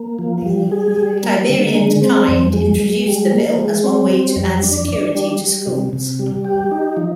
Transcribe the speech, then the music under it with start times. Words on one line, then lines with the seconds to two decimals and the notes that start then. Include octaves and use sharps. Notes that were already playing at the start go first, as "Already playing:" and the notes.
Tiberi and Kind introduced the bill as one way to add security to schools.
Already playing: A#3
0.19 F3
0.46 G3
0.71 G#4
0.97 G3
1.23 A#3
1.49 D3
1.76 G#3
2.02 C4
2.28 F2
2.53 G#3
2.80 G#3
3.06 G3
3.32 A#3
3.58 G#3
3.84 C4
4.10 G3
4.36 F2
4.63 D4
4.88 D4
5.15 G3
5.40 G3
5.67 C3
5.93 C3
6.19 G3
6.45 G4
6.71 D#4
6.97 F3